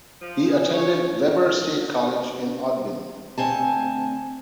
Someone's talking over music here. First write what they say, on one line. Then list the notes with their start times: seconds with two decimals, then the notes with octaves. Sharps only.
He attended Weber State College in Ogden.
0.22 F3
0.44 G#4
0.74 C#5
3.37 D2 C4 G#5 A5